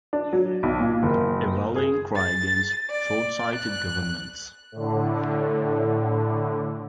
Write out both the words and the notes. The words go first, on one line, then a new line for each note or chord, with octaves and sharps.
A rallying cry against shortsighted governments.
D4
F#3
B1
A#2
F#1
G#4
A6
D5
F#6
A2 D3